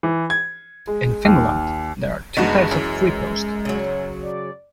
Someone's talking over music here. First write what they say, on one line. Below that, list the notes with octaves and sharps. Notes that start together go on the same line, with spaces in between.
In Finland, there are two types of freepost.
E3
G#6
G#3
D#2
G1 G2 G#3 B3 D#4 F#4
F#2 E3 F#3
C#3 F#3
D5